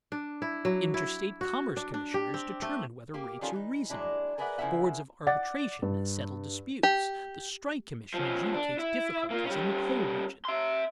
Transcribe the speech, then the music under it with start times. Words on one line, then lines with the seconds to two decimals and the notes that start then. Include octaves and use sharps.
Interstate commerce commissioners determine whether rates are reasonable, boards of arbitration settle disputes, the strike commission adjudicates difficulties in the coal regions.
0.12 D4
0.42 E4
0.65 F#3
0.94 E4
1.41 F#4
1.77 D4
1.94 D4
2.14 G4
2.34 C4
2.62 A3
3.14 A#3 G4
3.41 D#3 G3 C#4 F4 A4 A#4
3.53 E3 D#4
3.89 F#3 G#3 D4 E4
4.38 G#4 A#4 B4 D5 E5 F#5
4.58 C#3 F3 E4 A#4 E5 F#5
5.27 D5 F#5 D6 A6
5.82 G2
6.83 G4
8.14 F3 C#4
8.54 D4
8.79 E4
9.30 A#3 F4
9.46 G3 C#4
10.45 E5 C6